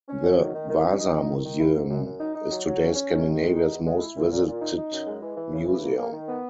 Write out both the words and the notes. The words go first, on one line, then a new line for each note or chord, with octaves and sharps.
The Vasa Museum is today Scandinavia's most visited museum.
C#4
F#3
D#3
D#3
D#3
C#4
D#4
D#4
D#3
D#3
E4
G#2
F#2
F#2
D#4
D#4
F#3
F#3
C#4
C#4
D#3
D#3
G#3
D#4
E2
G#3
E4
A#2
A#2
A#2
D#4
D#4
F#2
G#3
E3
E3
C#3
E3
A#3
A#3
D#3
B3